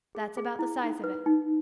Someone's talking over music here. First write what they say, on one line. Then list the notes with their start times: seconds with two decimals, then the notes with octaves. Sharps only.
"That's about the size of it."
0.15 G#4
0.37 G#4
0.59 E4
0.82 D#4
1.04 B4
1.26 D#4